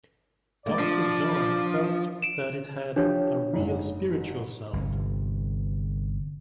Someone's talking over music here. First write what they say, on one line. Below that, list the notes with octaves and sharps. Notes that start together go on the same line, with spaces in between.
Doctor John felt that it had "a real spiritual sound".
D2 G#3 A#3 D5
F3 D4
D7 E7
F3 D4 G4 C#5
F#1 G#2
G1 C3